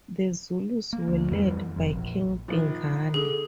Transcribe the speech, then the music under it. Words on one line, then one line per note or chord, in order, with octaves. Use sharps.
The Zulus were led by King Dingane.
A#3
D2
F2 E3 G3
F1 F2
A#1
A#1 D#3
D3 G#4 A4